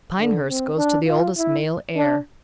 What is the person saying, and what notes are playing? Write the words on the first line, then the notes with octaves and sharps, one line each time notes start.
Pinehurst goes to the oldest male heir.
D3
C4
D4
F4
E4
D4